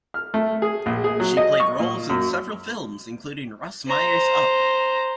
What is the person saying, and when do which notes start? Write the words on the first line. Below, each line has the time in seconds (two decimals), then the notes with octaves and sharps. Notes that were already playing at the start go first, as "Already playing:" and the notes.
She played roles in several films, including Russ Meyer's Up!
0.14 F6
0.34 A3
0.62 G#4
0.86 A#1
1.04 G#4
1.20 F#3
1.37 D#5
1.60 C#6
1.79 A#2
2.10 F#2
3.87 C5 A#5